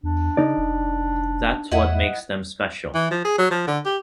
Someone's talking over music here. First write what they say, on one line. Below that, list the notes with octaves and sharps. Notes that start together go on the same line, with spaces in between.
That's what makes them special.
E2 D4
C#3 D#4 D5
F1
E2 E4 D#5 F#5
E3
F3
G#4
F#3
F3
D3
G4